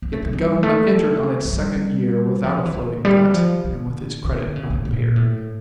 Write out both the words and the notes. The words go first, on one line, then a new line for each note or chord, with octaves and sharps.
Yet the Government entered on its second year without a floating debt and with its credit unimpaired.
A#3
A3
G3
G3
A3
A3
G3
F3
E3
D3
G3
F3
D3
D3
C#3
C#3
A#2
A2